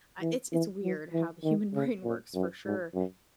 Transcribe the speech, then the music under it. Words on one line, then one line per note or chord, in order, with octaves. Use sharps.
I it's it's weird how the human brain works for sure,
E3
E3
F#3
E3
D#3
C#3
A#2
F#2
G#2
F#2